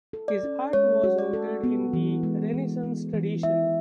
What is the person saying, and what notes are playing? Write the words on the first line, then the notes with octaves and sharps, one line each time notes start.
His art was rooted in the Renaissance tradition.
A4
D5
C#4
G#3 C#5
F#4
D5
A4
B3
E3
G#3
E3
B3
E3
E4 E5